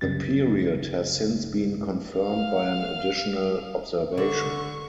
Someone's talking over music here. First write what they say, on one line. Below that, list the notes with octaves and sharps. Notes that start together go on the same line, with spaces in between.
The period has since been confirmed by an additional observation.
C2 F#2 C#3 G3 A6
F5 F6
D3 C#6